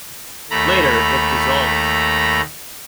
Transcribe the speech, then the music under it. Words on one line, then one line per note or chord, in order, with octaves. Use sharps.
Later it dissolved.
D#2 A3 A#5 B5